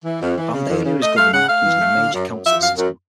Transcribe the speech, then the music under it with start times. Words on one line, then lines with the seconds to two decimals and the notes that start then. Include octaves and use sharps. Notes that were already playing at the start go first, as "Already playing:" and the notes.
Vandalia is governed using the mayor council system.
0.05 E3
0.21 F2
0.38 E3
0.53 C#3
0.69 F2
0.84 C#3
1.01 A3 D#5
1.16 A3 F5
1.33 C#3 F#5
1.49 A3 F5
1.65 E3
1.81 A3
1.96 D3
2.13 F#2
2.28 F#2
2.44 F3 E5
2.60 F#2 F5
2.77 F#2